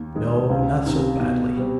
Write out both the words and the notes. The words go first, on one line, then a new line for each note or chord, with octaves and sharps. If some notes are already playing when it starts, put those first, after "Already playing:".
'No, not so badly.
Already playing: D#2
D#3 G#3
C#2
C3 D#3
B2
G3 C4